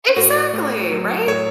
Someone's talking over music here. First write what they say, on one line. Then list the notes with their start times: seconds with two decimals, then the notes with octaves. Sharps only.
Exactly, right?
0.16 A2 F#4
0.54 A3
0.91 F#3
1.27 A2 C#5